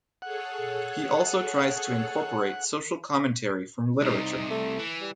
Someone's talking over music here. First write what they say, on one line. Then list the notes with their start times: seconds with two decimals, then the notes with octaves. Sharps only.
He also tries to incorporate social commentary from literature.
0.22 G#4 A4 C#5 F#5
4.01 C2 C3 D#4
4.50 A3
4.78 E3
5.01 G3